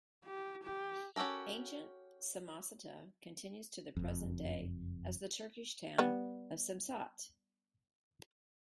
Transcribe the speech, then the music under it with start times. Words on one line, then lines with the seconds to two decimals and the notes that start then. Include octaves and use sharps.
Ancient Samosata continues to the present day as the Turkish town of Samsat.
0.25 G4
0.63 G4
1.16 C#4 F#4 G4 A4 A#4
3.97 F#1 F2
5.98 G3 B3